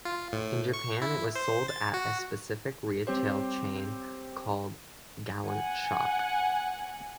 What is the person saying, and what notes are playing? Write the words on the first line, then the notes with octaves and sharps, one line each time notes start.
In Japan, it was sold at a specific retail chain called "Galant Shop".
F4
A2
C#6
E4
C5
A6
F#4
G3 C4 G4 C5 C#5
F#5 G#5